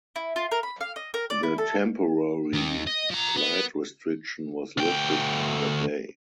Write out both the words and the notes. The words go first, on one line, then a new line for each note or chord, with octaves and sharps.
The Temporary Flight Restriction was lifted that day.
E4
F4
A#4
B5
F5
D#5
A#4
D5
E4
A4
D#2 D#3
D#5
F3 A#5
B3
D2 G5